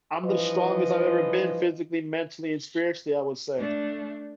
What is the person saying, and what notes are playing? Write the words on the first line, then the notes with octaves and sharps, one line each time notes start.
I'm the strongest I've ever been physically, mentally, and spiritually, I would say.
G2 E3 F3 B4 D#5
A3 D4